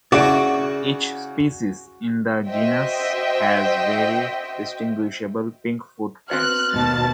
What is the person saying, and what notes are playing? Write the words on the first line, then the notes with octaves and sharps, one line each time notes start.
Each species in the genus has very distinguishable pink foot pads.
C#3 E4 F#4 D5 D7
F#4 C5 D#5 E5 G5
B3 C4 F#4 F6 F#6
D#2 B2 A5 A6